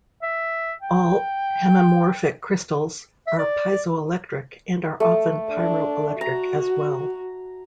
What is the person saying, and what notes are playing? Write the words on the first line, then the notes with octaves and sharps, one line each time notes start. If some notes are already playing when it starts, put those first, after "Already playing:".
All hemimorphic crystals are piezoelectric, and are often pyroelectric as well.
E5
G5
E5
D5
A3 A4
D4
F#4 A#5